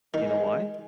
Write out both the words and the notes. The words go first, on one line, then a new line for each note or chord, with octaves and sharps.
You know why?
D#3 G#3